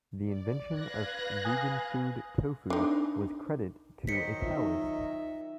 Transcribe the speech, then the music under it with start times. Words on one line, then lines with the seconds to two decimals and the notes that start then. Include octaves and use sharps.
The invention of vegan food Tofu was credit to a Taoist.
0.23 D5
0.75 B4 F5 F#6 G#6 A#6
1.45 G#5 D#6
2.70 D4 D#4
4.07 D#3 F#3 C5 D#5 B6 C#7
4.41 D#4 F4 E5